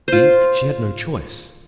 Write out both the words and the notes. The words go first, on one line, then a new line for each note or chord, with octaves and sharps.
Indeed, she had no choice.
F4 C5